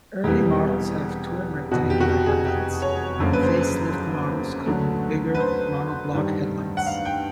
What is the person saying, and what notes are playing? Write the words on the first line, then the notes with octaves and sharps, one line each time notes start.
Early models have twin rectangular headlights, facelift models come with bigger monoblock headlights.
E1 E2 C3 E3 G3 G4
F1 E2 B2 F#4
G4
F#4
G4
G#4
G4
C#5
F#1 F#2 D3 F3 A#3
B4
C5
D2 D3 F#3 A3
B4
C5
G2 D#3 G3
F#5
F5
G5